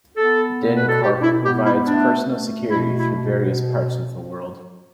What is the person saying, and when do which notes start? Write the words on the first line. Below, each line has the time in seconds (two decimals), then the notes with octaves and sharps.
DynCorp provides personal security throughout various parts of the world.
0.17 B3 A4
0.60 B2
0.75 B4
0.88 A4
1.02 B2 G4
1.19 D4
1.23 E4
1.45 B3 G4
1.66 E4
1.87 A3 D4
2.29 A3
2.71 B2 E4
2.99 E4
3.14 B2